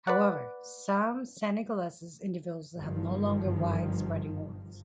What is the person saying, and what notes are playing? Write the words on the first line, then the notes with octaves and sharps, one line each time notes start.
However, some Senegalese individuals have longer and wide-spreading horns.
B4 D5 F#5
G1 G2 D#3 F3